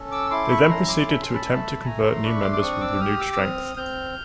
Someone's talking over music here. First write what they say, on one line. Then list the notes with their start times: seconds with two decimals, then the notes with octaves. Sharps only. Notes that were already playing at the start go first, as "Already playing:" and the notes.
They then proceeded to attempt to convert new members with renewed strength.
Already playing: C#4 A4
0.11 D6 E6
0.31 E4 C6 D6
0.50 B5 C#6
0.63 C#6
0.69 C#4 A#5 C6
0.88 C6 D6
1.08 A4 B5
1.21 C6
1.34 A5 B5
1.47 A3
1.85 A3 G#5 A#5
2.04 A#5 C6
2.23 D4 B5 C#6
2.42 C6 D6
2.53 D6
2.61 C4 C#6 D#6
2.81 D6 E6
3.00 G4 D#6 F6
3.19 D6 E6
3.33 E6
3.38 C4 D#6 F6
3.76 C4 F6 G6